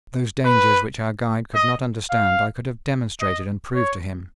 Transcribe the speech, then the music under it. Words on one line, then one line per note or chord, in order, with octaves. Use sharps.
Those dangers which our guide could not understand I could have demonstrated and proved to him.
B4
D#5
F5
D#5
C#5